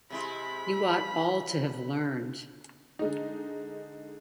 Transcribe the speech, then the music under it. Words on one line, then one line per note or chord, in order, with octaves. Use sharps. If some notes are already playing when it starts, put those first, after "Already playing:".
You ought all to have learned.
C3 G#3 E4 B5
D3 G#3 D#4